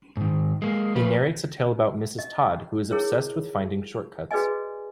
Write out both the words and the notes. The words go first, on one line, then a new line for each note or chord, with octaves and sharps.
He narrates a tale about Mrs. Todd, who is obsessed with finding shortcuts.
G#2 D#3
G#3 A#3
F3 A3 F4 B4
D#5
E4 G#4 A#4 C#5
F#4 G#4 B4 D5 D#5 G#5